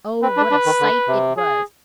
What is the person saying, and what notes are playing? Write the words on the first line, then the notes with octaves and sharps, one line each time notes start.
Oh, what a sight it was!
C4 B4
D4
D4
D#3
D3
C3
G#4